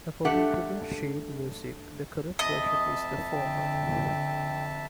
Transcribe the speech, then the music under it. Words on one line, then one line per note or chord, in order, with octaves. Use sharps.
According to the sheet music the correct version is the former.
G2 A3 D4 G4 F#5
F2 D#5 E5 A5
D3 G5